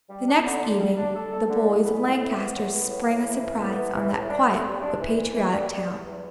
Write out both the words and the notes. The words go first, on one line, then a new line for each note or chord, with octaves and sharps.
The next evening the boys of Lancaster sprang a surprise on that quiet but patriotic town.
G3
D4
D3
D3
G3
D4
A4
A4
D3
A2
B3
A2
E3
B3
A2
B3
A2
A2
E3
A2
B3
E3
E3
A2
D4
A2
G3
D4
E3
E3
E3
G3
G3
E2
E2